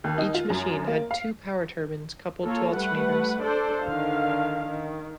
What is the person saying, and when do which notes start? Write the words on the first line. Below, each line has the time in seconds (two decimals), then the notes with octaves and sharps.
Each machine had two power turbines coupled to alternators.
0.04 D#2
0.18 D#4
0.34 F4
0.50 F#2
0.87 A#3
1.11 F5
2.45 A#3 F4 A4 C#5
2.77 G3 A3 B4 F#5
3.43 D4 A4 C5 D5
3.85 D3 D#3 F5
4.66 D#3